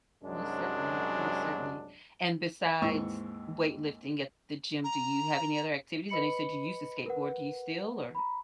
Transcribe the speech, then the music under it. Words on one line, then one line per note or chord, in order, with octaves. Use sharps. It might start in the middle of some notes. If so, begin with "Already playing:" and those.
Most certainly. Most certainly. And besides weightlifting at the gym, do you have any other activities? I know you said you used to skateboard. Do you still, or
C2 F#2 F#3 G#3 D4
D#2 G#2 E3 C4 C#6 E6
A#5
B4 D#5 B5 C#7 F#7
A#4 B4 F#5
A#5 B5